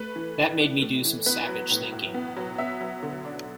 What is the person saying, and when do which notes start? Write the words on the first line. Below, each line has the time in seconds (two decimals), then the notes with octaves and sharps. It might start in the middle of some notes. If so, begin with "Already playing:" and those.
That made me do some savage thinking.
Already playing: A3 B4
0.16 E3
0.38 A2
0.60 D4
0.82 A3
1.05 E3
1.26 B3 B4
1.48 F#3
1.70 A2
1.92 A2
2.14 B3
2.37 F#3
2.58 B3 E5
2.81 F#3
3.03 D3
3.25 D4